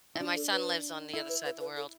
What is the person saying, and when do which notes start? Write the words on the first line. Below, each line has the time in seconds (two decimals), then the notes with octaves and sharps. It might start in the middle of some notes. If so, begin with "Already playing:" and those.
And my son lives on the other side of the world.
0.16 E4
0.20 D4 F#4
0.36 A4
0.51 B4
1.14 E4 A4
1.29 B4
1.45 B4
1.60 B4
1.76 A4